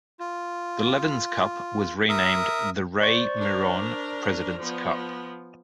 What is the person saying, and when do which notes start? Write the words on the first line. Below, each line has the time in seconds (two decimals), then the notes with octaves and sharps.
The Levins Cup was renamed the Ray Miron President's Cup.
0.20 F4
2.09 A#4 E5 D#6
3.00 C5 D5 C#6
3.37 D4 A#4
4.59 F3 B3